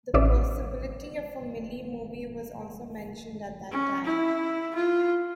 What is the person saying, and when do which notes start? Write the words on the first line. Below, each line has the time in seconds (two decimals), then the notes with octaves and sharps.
The possibility of a Millie movie was also mentioned at that time.
0.14 A1 C4 C#4 D5 E5
3.71 C#4
4.04 E4
4.75 F4